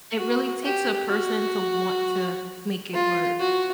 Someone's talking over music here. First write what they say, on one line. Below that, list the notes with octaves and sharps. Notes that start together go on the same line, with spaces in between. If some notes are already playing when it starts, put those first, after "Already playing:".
It really takes a person to want to make it work,
F#4
G4
F#4
F4
F#4